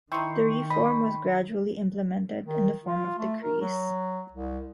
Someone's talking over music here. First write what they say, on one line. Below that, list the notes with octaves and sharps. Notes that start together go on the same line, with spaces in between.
The reform was gradually implemented in the form of decrees.
D#3 D#4 E4 G5 C6 C#6
D#5 B5
D#3
F4
A3
A#4
F#3
C2